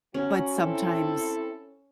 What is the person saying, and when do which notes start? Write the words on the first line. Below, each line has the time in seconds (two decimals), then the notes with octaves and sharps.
but sometimes,
0.14 F#3 C#4 F#4
0.56 C4 E4 A4